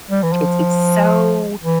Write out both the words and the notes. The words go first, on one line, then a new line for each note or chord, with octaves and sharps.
it's it's, so
G3
E3
F3
E3